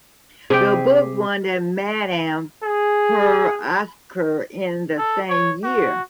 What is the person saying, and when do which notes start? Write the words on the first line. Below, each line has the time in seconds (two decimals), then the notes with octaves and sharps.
The book won the Madan Puraskar in the same year.
0.50 C3 G4 G#4 G5
2.64 G#4
4.98 A4
5.29 C#5
5.64 F#4